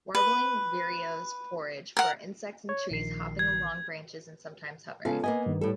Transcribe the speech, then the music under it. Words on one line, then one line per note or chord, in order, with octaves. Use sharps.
Warbling vireos forage for insects in trees, hopping along branches and sometimes hovering.
B4
A#4 F#5
C#5
A#1 D#3 C7
G#6
C#3 G#3 B3 F4 A4 F5
A#3 B3 D#5 G#5
G2 D#3
A2 G3 A4